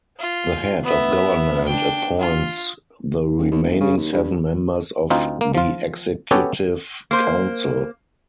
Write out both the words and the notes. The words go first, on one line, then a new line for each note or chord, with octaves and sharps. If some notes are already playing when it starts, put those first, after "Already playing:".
The Head of Government appoints the remaining seven members of the Executive Council.
F4
B3 E5
D4 G5
F4
D#1
D#2
E1
C#3
D#2
G2
G2
D2 C4 D#4 F4
A#3
F3 F4
B3 C#4 F#4 G4 A4 C#5
A#3 C5